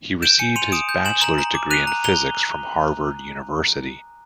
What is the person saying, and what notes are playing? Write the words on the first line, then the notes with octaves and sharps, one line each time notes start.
He received his bachelor's degree in physics from Harvard University.
G6 D7 E7
G#5 C#7 D#7
C6 D#7 F7
D#6 D7 E7
G6
G#5 E7 F#7
A#5 E7 F#7
A#5
D6
F#6 D#7 F7
A#5
A#5 F7 G7